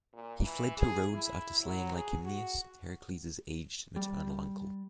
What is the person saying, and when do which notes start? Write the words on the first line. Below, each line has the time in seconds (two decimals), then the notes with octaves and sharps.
He fled to Rhodes after slaying Licymnius, Heracles' aged maternal uncle.
0.13 A#2
0.43 E3
0.78 G#4
1.14 E4
1.63 F#3
1.94 G#4
2.25 F#4
3.96 G3